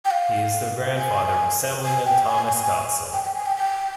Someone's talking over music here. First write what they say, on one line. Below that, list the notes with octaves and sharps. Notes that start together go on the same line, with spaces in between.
He is the grandfather of Assemblyman Thomas Gopsill.
G5
F5
G#5
G#5
G5
G#5
G#5
G5
G5
G#5
G5
G5